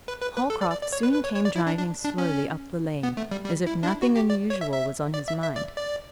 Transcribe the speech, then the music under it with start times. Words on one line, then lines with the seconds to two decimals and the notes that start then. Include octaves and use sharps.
Holcroft soon came driving slowly up the lane as if nothing unusual was on his mind.
0.08 B4
0.22 B4
0.36 B4
0.50 A4
0.61 D5
0.71 D5
0.82 D5
0.93 C#5
1.03 B4
1.14 B4
1.24 C#5
1.35 C#5
1.45 D5
1.56 E4
1.67 D4
1.77 D4
2.05 D4
2.18 C#4
3.03 B3
3.17 A3
3.31 G3
3.45 G3
3.67 E4
3.83 D4
3.88 E4
4.02 F#4
4.16 G4
4.30 D5
4.50 C#5
4.61 E5
4.72 E5
5.14 D5
5.28 E5
5.42 E5
5.56 D5
5.77 D5